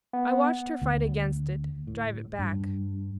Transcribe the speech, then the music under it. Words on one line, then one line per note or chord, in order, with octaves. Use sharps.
I watched her fight against it, drive it back.
B3
D2
A2
G2